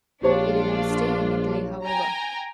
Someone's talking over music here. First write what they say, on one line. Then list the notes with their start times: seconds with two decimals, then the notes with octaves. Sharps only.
He did not stay in Italy, however.
0.23 A#1 D4 F4 G4 C#5
1.83 G5 G#5 A#5